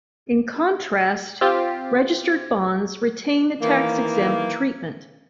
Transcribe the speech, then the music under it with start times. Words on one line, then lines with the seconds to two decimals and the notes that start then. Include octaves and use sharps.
In contrast, registered bonds retained the tax-exempt treatment.
1.41 C4 F4 G4
3.62 D#3 E3 A#3